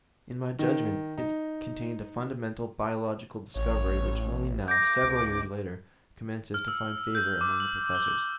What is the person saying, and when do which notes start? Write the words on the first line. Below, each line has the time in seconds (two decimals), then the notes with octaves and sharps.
In my judgment, it contained a fundamental biological discovery which only now, several years later, commences to find favor among the professors.
0.59 D#3
1.18 D#4
3.56 A1 C#5
4.68 D6 G6 A#6
5.03 C#2
6.54 F6
6.68 E6
7.15 G6
7.41 D6
7.60 F#7
7.95 G7